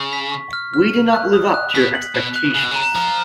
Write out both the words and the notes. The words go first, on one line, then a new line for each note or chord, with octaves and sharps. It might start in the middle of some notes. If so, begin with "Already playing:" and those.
We did not live up to your expectations.
Already playing: C#3 C#6
B6
C#6
F6
F6
F#7
F#6
D#6
F#6
B2 B6
F#7
B2 F#6
F#6
C#3 F#6
B2
C#3
A#5
F3 A#5